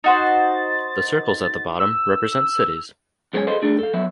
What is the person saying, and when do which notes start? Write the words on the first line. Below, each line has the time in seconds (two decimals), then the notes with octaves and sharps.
The circles at the bottom represent cities.
0.04 D#4 F#4 C5 A6
1.80 E6
3.33 F#2 G#3 B3 C#4 C#5 G#5
3.47 G#4 A4 B4 C5 D#5 F5
3.62 G3 A3 D4 G#4
3.79 A4 F5
3.94 F#3 B3 E5